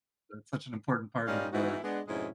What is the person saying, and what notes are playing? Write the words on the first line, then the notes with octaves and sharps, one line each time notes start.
that's such an important part of, uh
A#2 G3 C#4 D#4 D5 F5
G#2 E3 B3 D#4 E4 F#4
G#3 B3 D4
F2 G#2 B2 G#3 C#4 E4